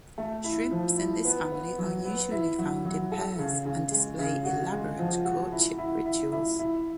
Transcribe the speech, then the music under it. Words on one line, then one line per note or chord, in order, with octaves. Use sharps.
Shrimps in this family are usually found in pairs and display elaborate courtship rituals.
A3
E4
F3
E4
B3
B3
F#3
B3
E4
F#3
F#3
A4
C#3
C#3
G#3
C#3
F#4
G#3
F3
F#4
E4
E4
E4
E4
E4